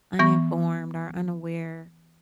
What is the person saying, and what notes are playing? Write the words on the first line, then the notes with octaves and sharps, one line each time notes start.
uninformed or unaware
E3 B3 C#6 A#6